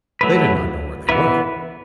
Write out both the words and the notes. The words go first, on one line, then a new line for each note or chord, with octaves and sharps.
They did not know where they were.
F#3 A3 E4 B4
E3 B3 E4 B4